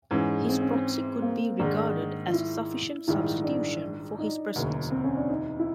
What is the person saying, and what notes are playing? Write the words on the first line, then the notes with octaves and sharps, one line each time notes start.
His proxy could be regarded as a sufficient substitution for his presence.
G#2 E3 G#3 C#4
C4
C#4
C4
A#3
G#2 D#3 G#3 D4
F4
E4
A#1 G#2 D#3 G3 E4
D4
D#4
E1 D2 C#3 F#3 A#3
C4
C#4
D4
D#4
E4